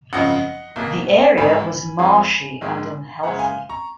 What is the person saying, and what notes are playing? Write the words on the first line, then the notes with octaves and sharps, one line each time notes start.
The area was marshy and unhealthy.
G#1 F#2 C#3 F3 D#5 F#5
B1 B2 A#3
G#1 G#2 D#3 F#3 G#5 B5
F2 F3 G#3
A#1 G#2 D#3 G#3
F#1 F#2 C#3 G#3 F#5 A#5
F5 G#5
A#5 C#6